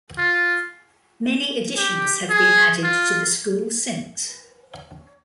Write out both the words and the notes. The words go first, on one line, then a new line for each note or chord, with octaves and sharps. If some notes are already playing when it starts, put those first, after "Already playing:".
Many additions have been added to the school since.
F4
G4
G#4
F4